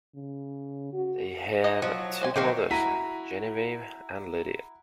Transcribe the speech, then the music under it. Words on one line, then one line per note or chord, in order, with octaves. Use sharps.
They have two daughters, Genevieve and Lydia.
C#3
F#4
D#4 D#5
F3 F#3
C4 C5 G#5
D#3 F#3 A#3 C4 A#4
E4 F#4 A#5 B6 D#7